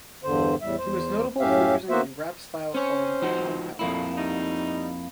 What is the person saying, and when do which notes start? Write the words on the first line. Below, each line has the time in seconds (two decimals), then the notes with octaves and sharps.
He was notable for using a rap style called "compounding".
0.24 E2 G2 D3 C5
0.61 E2 A2 G3 E5
0.78 E2 C5
1.40 F#2 A2 C#4 G4 E5 F5
1.90 A#3 B3 F#4 C5 E5
2.75 C4 C#4 C5 C#5
3.22 F3 D#4 F#4
3.79 F2 A#2 A3 A#3 E4
4.18 G3 A3 D#4